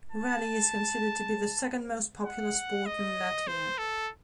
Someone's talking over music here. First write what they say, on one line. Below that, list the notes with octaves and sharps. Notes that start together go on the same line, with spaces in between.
Rally is considered to be the second most popular sport in Latvia.
A5
F#5
D#5
C5
A4